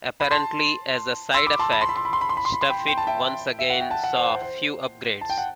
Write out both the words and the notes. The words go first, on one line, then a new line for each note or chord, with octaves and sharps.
Apparently as a side-effect, StuffIt once again saw few upgrades.
B5
A5 C6
C6 E6
B5 D6
A5 C6
B5
C6
B5
C6
B5
C6
B5
C6
B5
C6
B5
C6
G5 B5
G5
A5
E5 G5
E5
F#5
G5
F#5 A5
F#5 A5
C5
C5
C5
A5
G5
F#5